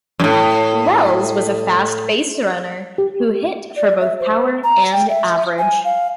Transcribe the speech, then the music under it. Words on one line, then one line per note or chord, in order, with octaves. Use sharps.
Wells was a fast baserunner who hit for both power and average.
F#2 A2
G4
D5
E5
C5
A#5
G5
E5
G#5
F5